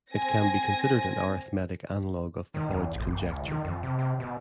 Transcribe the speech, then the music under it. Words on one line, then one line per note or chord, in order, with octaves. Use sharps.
It can be considered an arithmetic analog of the Hodge conjecture.
C4 G#5 A#6
D#3
E2
A1
F#1
C#2
D#3
F2
C3
C3
B2